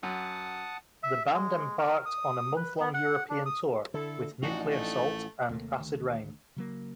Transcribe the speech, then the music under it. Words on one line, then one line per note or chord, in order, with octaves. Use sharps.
The band embarked on a month-long European tour with Nuclear Assault and Acid Reign.
F#2 F#5 A5 D#6
E5
G#3
A#4
D#6
B4
B3
F#5
D4
D#6
D3 E4 A4
A1 F3 C4 D4 D#4 F#4
A3
D#2 C3 A3 A#3
D2 D#3
C#3 F#3 A#3